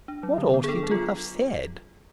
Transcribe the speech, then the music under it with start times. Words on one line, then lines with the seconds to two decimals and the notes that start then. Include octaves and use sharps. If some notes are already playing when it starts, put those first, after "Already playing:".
What ought he to have SAID?
0.08 D4
0.23 F#3
0.38 D3
0.54 B3
0.64 G#4
0.68 D4 A4
0.83 F#3
0.91 F4